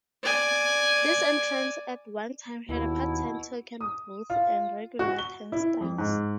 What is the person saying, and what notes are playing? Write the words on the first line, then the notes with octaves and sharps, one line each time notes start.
This entrance at one time had a part-time token booth and regular turnstiles.
D5 G#5
D#2 B2 E4
D#6
F4
F#4
G7
E4
F2
G#2